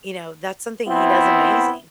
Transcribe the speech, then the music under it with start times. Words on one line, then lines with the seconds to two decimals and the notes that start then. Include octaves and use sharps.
you know, that's something he does amazing.
0.87 B3 C4 E4